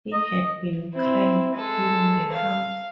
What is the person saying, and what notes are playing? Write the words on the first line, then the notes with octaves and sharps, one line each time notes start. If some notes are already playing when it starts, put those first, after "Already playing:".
He had been crank-calling the house.
D#5
C4 E4
G#3 A4
F5